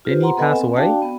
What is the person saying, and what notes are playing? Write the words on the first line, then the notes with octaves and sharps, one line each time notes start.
Didn't he pass away?
F4 G4 B4 C5
F#5 A#5 C6
B3 A4 B4 D#5 F#5 G#5
C4
D4 F#4 D5 F5 G5 A5
B3